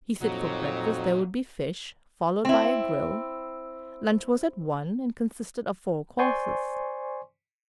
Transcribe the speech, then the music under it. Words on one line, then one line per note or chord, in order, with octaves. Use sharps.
He said for breakfast there would be fish, followed by a grill. Lunch was at one, and consisted of four courses.
F2 A#2 F#3 D#4
C4 E4
C5 D5 G#5 C6 C#6